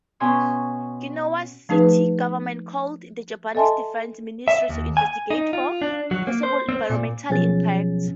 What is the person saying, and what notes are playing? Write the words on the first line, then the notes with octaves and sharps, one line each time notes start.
Ginowan city government called the Japanese defense ministry to investigate for "possible environmental impacts".
B2 C#4 G#5 C6 D#6
F3 A3 D#4 G#4 B4
A4 D#5 E5 G#5 A5 C6
E5
D#2
G#5
D#4
F4
D4
F#3
A#3
C5
C4
A#2
B2 F3 F#3 C#4 G#4 A6